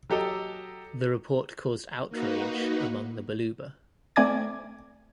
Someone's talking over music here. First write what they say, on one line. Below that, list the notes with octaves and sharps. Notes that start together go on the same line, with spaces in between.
The report caused outrage among the Baluba.
F#3 G4 A4 D#5
A#3 D#4 F#4 B4
A3 C4 D5 G#5 D6 G#6